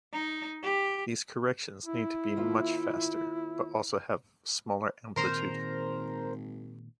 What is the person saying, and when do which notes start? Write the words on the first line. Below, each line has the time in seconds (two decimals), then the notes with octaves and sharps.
These corrections need to be much faster, but also have smaller amplitude.
0.13 D#4
0.62 G4
1.85 E4
2.36 D#2 F4 E5
5.16 G#1 A#2 D#3 G#3 A#4 C5 A#5